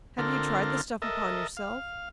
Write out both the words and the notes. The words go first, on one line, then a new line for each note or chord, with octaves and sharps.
"Have you tried the stuff upon yourself?"
D3 C4 F4 A4 A#4
A4 A#4 D#5 E5
F5